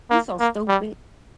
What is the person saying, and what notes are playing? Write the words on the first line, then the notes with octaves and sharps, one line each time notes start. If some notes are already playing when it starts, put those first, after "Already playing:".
You so stupid.
A#3
A#3
G3